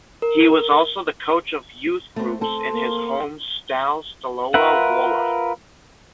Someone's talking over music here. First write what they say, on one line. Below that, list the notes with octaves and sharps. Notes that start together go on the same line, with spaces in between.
He was also the coach of youth groups in his home Stal Stalowa Wola.
A#4
A3 B3 C4
C4 A4 C6
A#3
F4 A#4 B4 E5 F#5